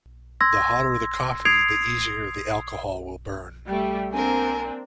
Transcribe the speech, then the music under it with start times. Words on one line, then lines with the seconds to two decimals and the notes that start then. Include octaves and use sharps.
The hotter the coffee, the easier the alcohol will burn.
0.41 C6 E6 G#6 A#6
1.45 D#6 G#6 C7 D7 F7
3.68 G3 A3 G5
4.12 A#3 C4 D4 A#4 G#5